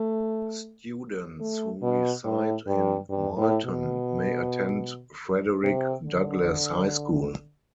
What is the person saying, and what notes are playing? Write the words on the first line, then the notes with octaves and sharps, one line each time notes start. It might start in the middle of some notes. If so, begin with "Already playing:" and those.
Students who reside in Marlton may attend Frederick Douglass High School.
Already playing: A3
A3
B2
A2
G2
G2
A2
B2
C3
D3